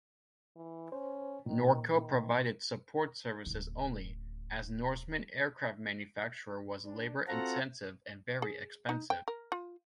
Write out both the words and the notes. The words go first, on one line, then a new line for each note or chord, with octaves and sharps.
Norco provided support services only, as Norseman aircraft manufacture was labor-intensive and very expensive.
E3
C#4 C5
A#2 D#3
D#3
D1 C#3
D4
C4 F4 F#4 A4 F#5 A#5
G#4
D#4
G5
A#4
F4